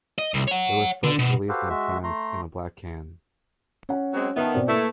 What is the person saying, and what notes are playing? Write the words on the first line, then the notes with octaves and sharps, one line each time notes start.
It was first released in France in a black can.
D#5
C2
C#5 F#5
D3
B2
F#4 G4 A4 B4 C5 F5
G#3 F#4 E5
A3 A#5 C6
C#4 F#5
F#3 G#3 C4
D#3 B3 E5 A5
B2 C4 D5
A3 A#3 E4 B4